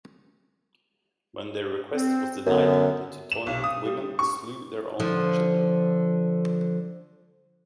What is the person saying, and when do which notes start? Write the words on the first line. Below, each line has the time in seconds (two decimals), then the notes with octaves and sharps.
When their request was denied, the Teutonic women slew their own children.
1.93 C4
2.46 F#2 D3 B3
3.32 E7
3.47 B1
3.64 D#6
3.85 G3
4.19 C#6
5.00 D3 F3